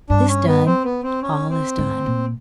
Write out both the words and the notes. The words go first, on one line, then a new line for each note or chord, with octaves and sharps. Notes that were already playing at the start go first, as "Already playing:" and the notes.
This done, all is done.
G2 D4
C#4
B3
C4
B3
C4
C#4
C4
G#2
A#2